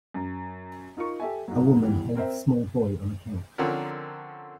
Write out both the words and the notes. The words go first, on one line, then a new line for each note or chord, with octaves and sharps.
A woman holds small boy on a couch.
F#2
D#4 F4 A#4 C#6
G4 A4 E5 G#5
G#2 F#3
E3 G3 B3
C4 A#4 C5 E5
D3 F3 C4 C#4 A#4